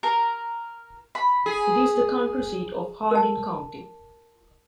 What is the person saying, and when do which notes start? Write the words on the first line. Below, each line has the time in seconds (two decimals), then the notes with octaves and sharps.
It is the county seat of Hardin County.
0.03 A#4 A#5
1.15 B5
1.46 G#4
3.11 A#4 A5